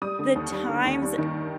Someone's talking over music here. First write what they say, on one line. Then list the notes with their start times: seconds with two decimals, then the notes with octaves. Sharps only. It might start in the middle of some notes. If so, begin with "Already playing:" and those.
the times, eh
0.02 G3 D#6
0.19 D3
0.35 D#2
0.52 G3
0.69 D3
0.85 D#2
1.01 G3
1.18 D#3